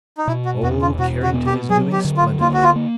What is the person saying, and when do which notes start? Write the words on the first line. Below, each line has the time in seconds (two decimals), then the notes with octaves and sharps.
Oh, Carrington is doing splendidly!
0.18 D#4
0.27 B2 E4
0.45 F#4
0.63 E2 F#4
0.81 F4
0.99 B2 F#4
1.23 F#4
1.34 B3
1.46 G4
1.70 F#3 G#4
1.92 G4
2.04 D3
2.17 F4
2.40 A#3 F4
2.53 F#4
2.63 F4
2.76 A#3